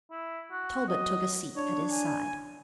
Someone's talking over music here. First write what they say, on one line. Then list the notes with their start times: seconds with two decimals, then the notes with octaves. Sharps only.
Talbot took a seat at his side.
0.11 E4
0.52 F#4
0.88 F#3 D#5
1.56 D4 C#5
1.92 G#5